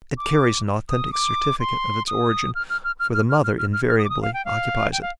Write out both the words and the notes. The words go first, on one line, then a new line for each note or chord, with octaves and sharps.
It carries an authentic certificate of its origin, for the mother invariably occupies it.
D6
D#6
D6
C6
D#6
F6
F6
F6
F6
F6
F6
F6
F6
F6
F6
D#6
D6
D#6
F5
G5
F5
G5
F5